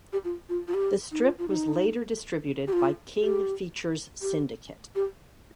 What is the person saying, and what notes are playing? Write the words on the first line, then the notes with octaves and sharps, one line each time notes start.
The strip was later distributed by King Features Syndicate.
G4
F4
F4
F4
G4
D#4
F4
F4
D#4
G4
F4
G4
G4
G4